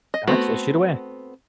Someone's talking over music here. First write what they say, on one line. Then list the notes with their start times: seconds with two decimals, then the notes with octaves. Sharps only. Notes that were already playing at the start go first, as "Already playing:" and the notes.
Gotcha, shoot away.
0.14 D#5
0.27 A3 B3 C4 F#4